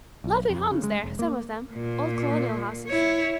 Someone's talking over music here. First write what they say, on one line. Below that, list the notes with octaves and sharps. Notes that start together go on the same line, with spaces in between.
Lovely homes there, some of them,--old colonial houses.
B1
F2
C#3
G#3
F1
A#3
A#2
E4 C#5